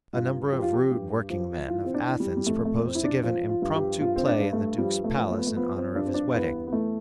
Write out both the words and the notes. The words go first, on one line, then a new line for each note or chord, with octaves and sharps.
A number of rude workingmen of Athens propose to give an impromptu play in the Duke's palace in honor of his wedding.
G2 F4
F3 G4
F4
G4
G2
F3
E3 F4
C4
D4
E3
G3
G3
F2 A3
A3
F2 C4
E4
D4
F3 F4
F4
G2
G4
G2 F4
C4
D4
G2
A3
F3 G3
A3
F3
A3
B3
A3
F3 B3
C4
G2 D4
C4
D4
E2 B3
B3
E2 A3